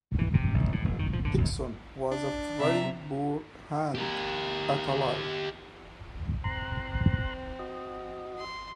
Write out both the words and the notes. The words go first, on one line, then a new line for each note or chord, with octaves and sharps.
Dickson was a very poor hand at a lie.
E3
C3
A#1
A2
F1
D#3
F3
D3
D#2
D4
C3 E5 A#5
G4 A#4
C4 A#5 C6 F#6
F#4 D#5
C6